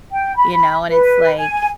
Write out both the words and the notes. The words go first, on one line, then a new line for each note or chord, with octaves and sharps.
you know? And it's, like,
G5
B5
B4
G#5